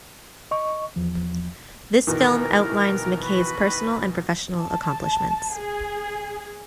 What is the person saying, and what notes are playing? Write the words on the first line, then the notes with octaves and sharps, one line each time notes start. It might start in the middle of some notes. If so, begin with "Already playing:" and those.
This film outlines McKay's personal and professional accomplishments.
D#5 C#6
E2 F3
B2 D#3 E3 A#4
F#4 B4 B5
A5
G#4